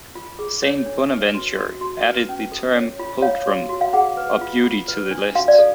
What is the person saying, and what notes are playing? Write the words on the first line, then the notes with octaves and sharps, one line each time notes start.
Saint Bonaventure added the term "pulchrum" or beauty to the list.
F4
G#4
C#5
D4
B4
F#4
F#4
F#4
B4
C#4
A4
C#5
F4
C#5 F5
F#4
F#4
F5
G#4 F#5
B4
F4
F4
B4
D4
F#4 F5
D5
A4